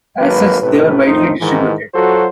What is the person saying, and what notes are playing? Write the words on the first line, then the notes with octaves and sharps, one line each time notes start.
As such, they were widely distributed.
G#1 F#3 A#3 B4
A2 C3 B4
F2 A2 D#3 D#4 C5
G#2 D#3 E3
F#3 F4 F#4 A4 C5